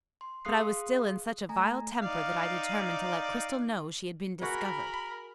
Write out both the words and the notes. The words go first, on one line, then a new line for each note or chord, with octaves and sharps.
But I was still in such a vile temper that I determined to let Cristel know she had been discovered.
C6
G#4 F5 C6 D#6 F#6 C7
A3 G#5 A#5
D#4 D5 F5
F#4 G#4 A#4 B5